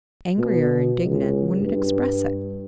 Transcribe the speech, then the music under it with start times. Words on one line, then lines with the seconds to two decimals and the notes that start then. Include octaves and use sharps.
Angry or indignant wouldn't express it.
0.38 B2
1.04 C#2
1.60 G2